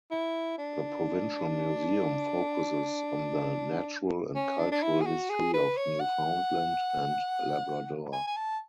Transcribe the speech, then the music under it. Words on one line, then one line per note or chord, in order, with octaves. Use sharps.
The Provincial Museum focuses on the natural and cultural history of Newfoundland and Labrador.
E4
D4
C#4
D4
D4
E4
G#4
F#4
G#4
B4
C#5
F#5
G#5
G#5
A5